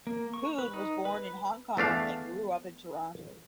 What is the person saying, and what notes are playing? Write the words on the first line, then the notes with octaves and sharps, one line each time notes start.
Poon was born in Hong Kong and grew up in Toronto.
A#3
C#6
B4
D#4
B4
E2 A3 D4 F5